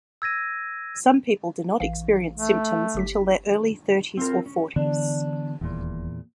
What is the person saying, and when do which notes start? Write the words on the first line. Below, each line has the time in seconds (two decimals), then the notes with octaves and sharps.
Some people do not experience symptoms until their early thirties or forties.
0.22 E6 G#6 A#6 D#7
1.80 A1 E3 F5
2.38 A3
2.94 G1 G4 B6
4.17 C4 F4 A#4
4.46 C#4
4.76 D3 E3 B3 D4
5.61 D#1 E2 A#2